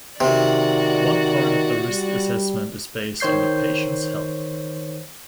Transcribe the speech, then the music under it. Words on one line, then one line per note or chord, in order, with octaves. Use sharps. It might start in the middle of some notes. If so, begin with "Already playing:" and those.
One part of the risk assessment is based on the patients' health.
C3 D#3 F#4 D5
G3
D#3 C5 C#5 G6 C7